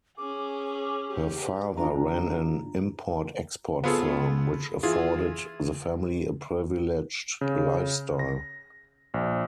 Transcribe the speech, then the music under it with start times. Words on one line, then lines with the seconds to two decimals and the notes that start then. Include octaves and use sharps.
Her father ran an import-export firm, which afforded the family a privileged lifestyle.
0.17 C#4 G#4 D6
1.08 G4
1.77 D4 F4 A#5
3.84 B3 F4 G#4 A4
4.83 E3 F4 G#4
7.41 C#3
8.19 A#6
9.14 A#1